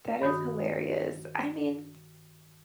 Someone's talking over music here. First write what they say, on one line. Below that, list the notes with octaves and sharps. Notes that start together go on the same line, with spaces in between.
That is hilarious. I mean,
G2 D#3 F#4 D#6